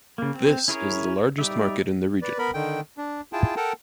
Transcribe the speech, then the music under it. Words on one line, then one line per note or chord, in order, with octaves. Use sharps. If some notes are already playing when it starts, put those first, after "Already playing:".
This is the largest market in the region.
C#3 A#3
C4
C#4 E4 G#4 A#4 C#5
G3 D#4 D5 E5
B4 D5
B3 A#4 B5
D3 D#3 G5
D4
E4 F4 G#4 G5 A5
A4 A#4 F#5 G5 A5 A#5